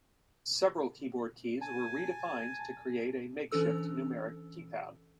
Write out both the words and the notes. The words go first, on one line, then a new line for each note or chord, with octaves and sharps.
Several keyboard keys were redefined to create a makeshift numeric keypad.
G#5 A5
E3 C#4 D4 A4 E6